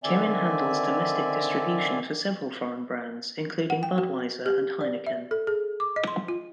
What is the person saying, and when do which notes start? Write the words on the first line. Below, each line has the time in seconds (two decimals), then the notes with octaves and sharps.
Kirin handles domestic distribution for several foreign brands, including Budweiser and Heineken.
0.04 D3 D#3 C4 D5 E5 G#5
3.70 F#5
3.83 G5
3.98 F#4
4.46 G4
4.81 D5
5.06 E5
5.31 A4
5.47 G#4
5.80 D6
5.96 D#5
6.07 C6
6.28 F4